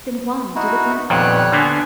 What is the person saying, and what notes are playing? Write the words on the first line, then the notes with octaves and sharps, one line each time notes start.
"Then why do it now?"
D#4 E4 F#4
F2 A#2 D#3 G3 B3 C#5 F#6
D3 A#3 B3 D4 G#5